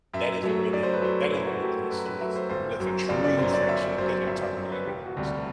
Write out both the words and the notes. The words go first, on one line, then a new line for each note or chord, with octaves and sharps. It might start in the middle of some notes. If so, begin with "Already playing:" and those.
that isn't really, that doesn't exist with with a true friendship cause y'all talk about everything, so
F#2 E5
F#3 A3
F#2 D5
C5
B4
F#3 A3 C5
F#2 E4
F#4
F#3 A3 G4
A4
F#2 B4
B4
F#3 A3 E5
C5
G1 C5
F#2 F#3
G1 D5
D5
F#2 F#3 C5
D5
G1 E5
D5
F#2 F#3 C5
D5
G1 E5
D5
F#2 F#3
B4
E1 G4
F#4
D2 C3 G3
D4